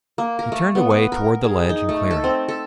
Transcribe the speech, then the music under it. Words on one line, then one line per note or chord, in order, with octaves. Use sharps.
He turned away toward the ledge and clearing.
A#3
A#4
A3
B3
B4
A#4
G#4
D#4
A3
A4
C4
A4